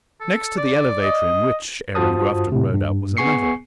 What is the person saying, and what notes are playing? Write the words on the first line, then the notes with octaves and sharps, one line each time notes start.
Next to the elevator in which Aaron Grafton rode up was another.
A4
D5
D#5
G2 F4 F#4 C5 A5 D#6
A2 C3
G2
B3 G#4 G#5 C#6 C7 C#7